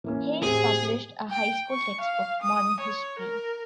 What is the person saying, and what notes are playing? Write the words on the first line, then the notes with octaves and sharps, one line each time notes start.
Hayes published a high school textbook, Modern History.
E3 A#3 C#4
A2 C4 G4 G#4
G5
C#6
F5
D#6
C#5
A#4